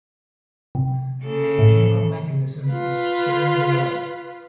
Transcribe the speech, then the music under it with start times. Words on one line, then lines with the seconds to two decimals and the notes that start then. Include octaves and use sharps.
A general mechanism is shown below.
0.75 C3
1.23 C#3 A#3 A4
1.59 A2
2.69 F4 B4